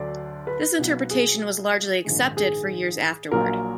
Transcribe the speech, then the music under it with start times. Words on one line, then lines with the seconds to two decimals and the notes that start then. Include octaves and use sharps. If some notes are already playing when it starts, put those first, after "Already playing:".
This interpretation was largely accepted for years afterward.
Already playing: D2 D3 F#3 D5
0.47 B4
0.78 B1 B2 F#3 B3
1.11 G#4
2.05 A#1 G#2 D#3 G#3
2.37 G#4
3.32 A#1 A#2 F#3 A#3 A#4